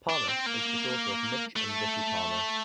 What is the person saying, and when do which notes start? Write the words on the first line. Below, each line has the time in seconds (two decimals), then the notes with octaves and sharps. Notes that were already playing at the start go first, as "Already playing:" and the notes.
Palmer is the daughter of Mitch and Vicki Palmer.
0.10 D4
0.28 C4
0.46 A#3
1.56 A3